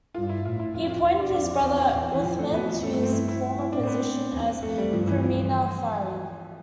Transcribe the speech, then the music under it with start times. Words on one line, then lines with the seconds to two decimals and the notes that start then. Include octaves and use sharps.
He appointed his brother Uthman to his former position as Kurmina-fari.
0.14 G2 F4
0.29 E4
0.45 A2 F4
0.59 E4
0.74 F2 F4
0.90 F4
1.04 E2 E4
1.19 D4
1.34 F2 D4
1.64 E2 C4
1.79 C4
1.94 E2
2.13 E3
2.23 F2 F3
2.39 A3
2.54 F2 B3
2.69 F3
2.83 G2 A3
2.93 A3
3.03 C4
3.13 E4
3.28 E4
3.58 E4
3.73 A2 D4
3.83 C4
3.87 B3
4.33 E2
4.63 F2 A3
4.78 G3
4.92 G2 F3
5.07 E3
5.23 F3